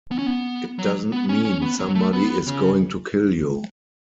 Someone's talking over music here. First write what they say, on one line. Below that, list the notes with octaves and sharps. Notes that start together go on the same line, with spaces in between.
It doesn't mean somebody is going to kill you.
B3
C#4
B3
F#3
B3
C#4
C#4
B3
F#3
A3
B3
C#3